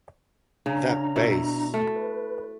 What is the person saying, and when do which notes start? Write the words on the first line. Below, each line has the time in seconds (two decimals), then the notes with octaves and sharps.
That bass!
0.66 C#3 D4 A#5
1.16 B2 E4
1.74 A3
1.96 B4